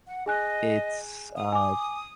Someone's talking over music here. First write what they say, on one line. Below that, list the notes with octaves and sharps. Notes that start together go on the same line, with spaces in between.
it's, uh
F#5
G#4 D#5 G#5 F#6
D#6
G#5 D6